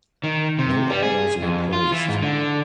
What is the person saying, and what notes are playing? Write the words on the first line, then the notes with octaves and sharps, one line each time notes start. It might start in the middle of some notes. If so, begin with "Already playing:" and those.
No orders were placed.
D#3
C3
G3
G#4
F2
F4
E3
G#2
D3